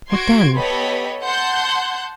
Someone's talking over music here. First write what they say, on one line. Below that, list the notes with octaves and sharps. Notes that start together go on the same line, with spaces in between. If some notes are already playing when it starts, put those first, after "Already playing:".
"What then?"
F#4 C6 G#6 D7
B3 G4 A4 C#5 D#5 B5
F#5 A5 C6 G6